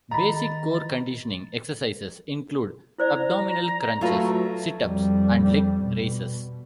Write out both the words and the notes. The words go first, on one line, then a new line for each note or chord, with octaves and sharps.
Basic core conditioning exercises include abdominal crunches, situps and leg raises.
D#3 D#5 A#5 B5 A6
E4 C5 D5 A#5
F#3 A3 F4 B4
F2 G3
B2